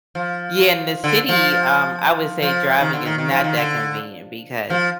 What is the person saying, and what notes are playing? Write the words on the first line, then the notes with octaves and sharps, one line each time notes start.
Yeah, in the city, um, I would say driving is not that convenient because
F3
D3
F3
F3
D#3
D3
D#3
D#3
F3
D#3
D3
F3